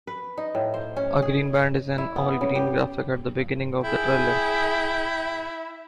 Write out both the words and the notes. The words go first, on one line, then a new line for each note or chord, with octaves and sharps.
A "green band" is an all-green graphic at the beginning of the trailer.
B4
D#4
A2
C5
C#4
G#4
E4
B3
C#3
G4
E4 G#4 G5